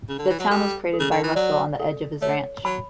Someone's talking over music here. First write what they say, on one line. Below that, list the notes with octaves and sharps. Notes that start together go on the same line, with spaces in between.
The town was created by Russell on the edge of his ranch.
C#3
D3
E3
F#3
G3 A4
A4
C#3
D3
E3
F#3 D5
A4
A3 C#5
F#3 B5